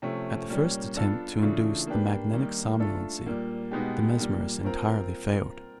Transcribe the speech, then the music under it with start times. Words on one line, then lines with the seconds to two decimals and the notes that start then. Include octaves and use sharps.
At the first attempt to induce the magnetic somnolency, the mesmerist entirely failed.
0.02 C3 F3 A3 C#4
0.49 A#2 G3 A#3 C#4
0.95 B3 D4 F4 A4
1.41 C#3 E3 A3 D4 F4
1.87 A#3 D4 G4 B4
2.33 D#3 G3 A#3 D#4
2.79 A3 D4 F4 A4
3.26 A#2 G3 A#3
3.71 B2 G#3 B3 D#4 G4
4.18 A#2 G3 A#3
4.64 C4 F4 A#4